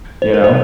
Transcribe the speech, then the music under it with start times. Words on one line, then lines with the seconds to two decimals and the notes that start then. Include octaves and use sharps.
you know?
0.22 C5
0.34 A#4
0.44 C5